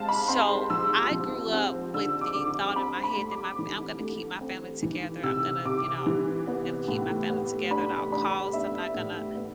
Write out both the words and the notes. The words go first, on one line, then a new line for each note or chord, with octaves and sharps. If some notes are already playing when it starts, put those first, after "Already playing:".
So I grew up with the thought in my head that my fa I'm gonna keep my family together. I'm gonna, you know, I'm gonna keep my family together at all costs. I'm not gonna
Already playing: G#3 C4 F5 A5
B5
C4 C6
F3 E6
F3
C4
D3 E6
D6
D3
D6
C4 B5
B5
A3
D6
E3
A3
C4
E3
C3 E6
C3 D6
E3
B3
A2
B3
D4 B5
D4 B5
B3 E5
A2
B3